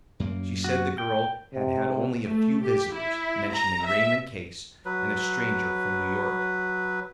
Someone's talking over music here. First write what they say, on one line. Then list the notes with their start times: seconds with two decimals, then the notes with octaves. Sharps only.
She said the girl had had only a few visitors, mentioning Raymond Case and a stranger from New York.
0.20 F#2 A#3
0.64 F#4
0.98 G5
1.53 C3
2.25 A3
2.62 G4
2.93 E4
3.53 A#5
3.84 E5
4.85 F#3 B4